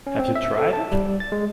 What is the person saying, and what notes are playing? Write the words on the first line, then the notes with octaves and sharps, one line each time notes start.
Have you tried it?
C#4
C4
E5
A4
A5
G3
A6
G#3